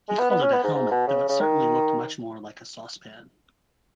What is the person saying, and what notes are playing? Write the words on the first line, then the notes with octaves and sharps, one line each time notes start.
He called it a helmet, though it certainly looked much more like a saucepan.
G#3
B3
B3
C#4
B3
G#2
G#2
B2
C#3
C#3
D#3